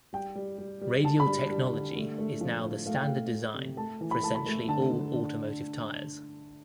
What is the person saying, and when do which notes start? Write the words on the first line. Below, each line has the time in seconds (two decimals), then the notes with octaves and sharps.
Radial technology is now the standard design for essentially all automotive tires.
0.13 G3 G5
0.35 G3
0.58 G3
0.81 G3
1.04 D3 A5
1.20 B5
1.26 G3
1.49 G3
1.72 D3
1.96 A3
2.18 A3
2.41 F3
2.63 A2
2.86 A3 F5
2.95 G5
3.04 F5
3.09 A3
3.32 A3
3.54 C3
3.77 A3 A5
4.01 E3
4.11 B5
4.23 A3 A5
4.35 B5
4.46 A3
4.69 D3 A5
4.91 D3
5.14 D3